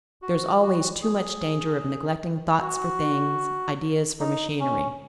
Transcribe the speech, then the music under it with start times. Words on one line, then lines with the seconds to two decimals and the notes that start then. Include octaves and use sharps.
There is always too much danger of neglecting thoughts for things, ideas for machinery.
0.22 F#4
0.62 F#4
1.02 G#4
2.60 F#4
4.20 D#4
4.60 C#4